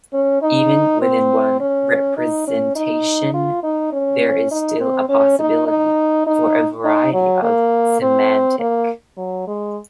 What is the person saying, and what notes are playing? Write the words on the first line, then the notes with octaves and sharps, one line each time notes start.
Even within one representation, there is still a possibility for a variety of semantic.
C#4
D#4
C4
C#4
D#4
C#4
D#4
F4
D#4
C#4
D#4
C4
C#4
D#4
D#4
D#4
D#4
F#3
A#3
C4
A#3
F#3
G#3